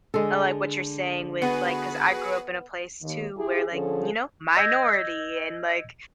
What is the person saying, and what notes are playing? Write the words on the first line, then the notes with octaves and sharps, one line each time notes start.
uh, like, what you're saying with, like, 'cause I grew up in a place, too, where, like, you know, minority and, like,
D3 G#3 A4
B3 F#4 G#4 B4
D#2 D#3
E4 G4 G#4
D3 F3 C#4 G#4 A4
D#5 E6 G6 G#6 A#6